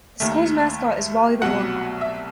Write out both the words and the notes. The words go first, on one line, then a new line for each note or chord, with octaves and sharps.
The school's mascot is "Wally the Warhawk".
D#2 D#3 A3
C2 B2 F#3 A3 F#5
E5